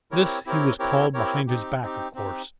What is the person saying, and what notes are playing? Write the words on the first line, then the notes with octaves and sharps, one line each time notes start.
This he was called behind his back, of course.
C4 E4 G4 A#4 C#5
C4 E4 G4 A#4 C#5
C4 E4 G4 A#4 C#5
C4 E4 G4 A#4 C#5
C4 D#4 G4
C4 D#4 G4
C4 D#4 G4